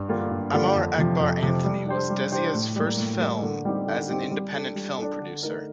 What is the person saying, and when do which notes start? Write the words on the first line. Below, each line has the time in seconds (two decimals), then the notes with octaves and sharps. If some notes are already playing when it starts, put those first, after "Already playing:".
"Amar Akbar Anthony" was Desai's first film as an independent film producer.
Already playing: G2
0.08 D3 G3 A#3 F4
0.31 G2
0.53 D3 G3 A#3 F4
0.75 F2
0.98 C3 F3
1.20 F2
1.42 C3 F3
1.64 G3
1.87 D4 G4 C5
2.10 G3
2.31 D4 G4 C5
2.53 A2
2.76 G3 A#3
2.98 A2
3.20 G3 A#3
3.42 D3
3.65 G3 C4 D#4 G4
3.87 D3
4.09 G3 C4 D#4 G4
4.31 G3
4.54 D4 A4
4.76 G3
4.98 D4 A4
5.20 D3
5.43 A3 D#4 A#4